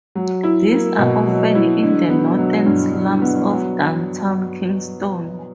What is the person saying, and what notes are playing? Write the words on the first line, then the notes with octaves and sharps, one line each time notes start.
These are often in the northern slums of downtown Kingston.
F#3
E4
A#3
B2
F#3
E4
D3
B3
F#3
G2
D3
B3
F#3